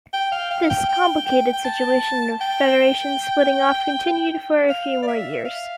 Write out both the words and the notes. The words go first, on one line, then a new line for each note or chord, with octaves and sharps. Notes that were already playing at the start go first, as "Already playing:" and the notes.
This complicated situation of federations splitting off continued for a few more years.
G5
F5
F5
G5
G5
G5
G5
A5
G5
F5
D5
E5
F5